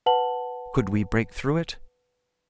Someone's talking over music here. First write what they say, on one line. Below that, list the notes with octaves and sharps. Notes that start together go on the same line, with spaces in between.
Could we break through it?
B4 F#5 A5 F#7